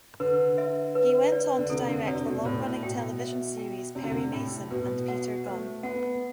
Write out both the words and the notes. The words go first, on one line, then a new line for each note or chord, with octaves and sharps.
He went on to direct the long-running television series "Perry Mason" and "Peter Gunn".
D3 B4
E5
B4
D5
D3
C3 A4
D3
C3 D5
B2
A2 C5
B2 G5
E5
G5
C3 D5
D3
C3
A2 G5
B2 B4
F#5
A3 C5
B3 F#5